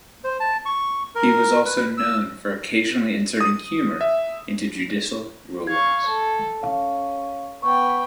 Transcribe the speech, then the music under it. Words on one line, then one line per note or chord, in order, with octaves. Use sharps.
He was also known for occasionally inserting humor into judicial rulings.
C5
A5
C#6
A#4
B4
E6
D#6
E5
F5 C#6 G#6
A4
C#4 F5
B3 G5 C#6